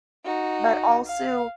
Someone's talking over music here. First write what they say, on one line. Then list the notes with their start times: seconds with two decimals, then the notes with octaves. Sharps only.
but also
0.25 D#4 F#4
1.06 F5